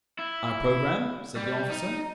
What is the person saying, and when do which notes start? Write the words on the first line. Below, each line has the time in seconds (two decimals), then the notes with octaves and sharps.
"Our programme?" said the officer.
0.19 E4
1.36 G3
1.70 D#4